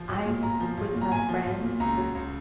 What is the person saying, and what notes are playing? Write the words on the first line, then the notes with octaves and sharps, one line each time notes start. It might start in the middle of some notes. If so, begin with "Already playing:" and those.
I'm with my friends.
Already playing: F3
B1
A#2
B1 A#5
F3
B1
A#2
A#5
B1 G#5
F3
B1
A#2
C#2 A#5
F#3
C#2